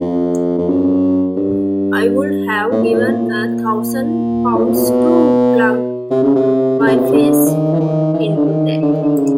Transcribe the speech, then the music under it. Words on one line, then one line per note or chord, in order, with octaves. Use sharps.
I would have given a thousand pounds to plunge my face into that.
F2
F2
F#2
G2
A2
A#2
A2
A#2
A2
A#2
B2
C3
C#3
C3
C#3
C3
B2
C3
D3
D#3
E3
D#3
E3
D#3
D3
D#3
D3
D#3
D3
C#3